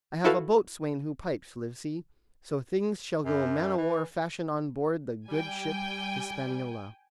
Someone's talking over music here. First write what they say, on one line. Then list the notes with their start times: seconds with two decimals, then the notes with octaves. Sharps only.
I have a boatswain who pipes, Livesey; so things shall go man-o'-war fashion on board the good ship HISPANIOLA.
0.24 E4 F#4 A4 B4 F5
3.25 F#2
3.77 E3
5.28 G3 G5 G#5